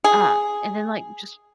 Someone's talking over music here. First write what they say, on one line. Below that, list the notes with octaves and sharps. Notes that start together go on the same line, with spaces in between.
Uh, and then, like, just
G#4